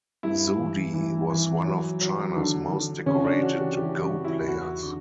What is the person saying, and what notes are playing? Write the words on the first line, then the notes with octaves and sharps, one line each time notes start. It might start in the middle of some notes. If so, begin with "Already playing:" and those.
Zude was one of China's most decorated Go players.
G2 E4
E3
E3
E3
F#3
F#3
D3
D3
C#3 C#4
D4
E3 F#4
G4
E3 G4
F#4
E3
E4
E2 F#4
D3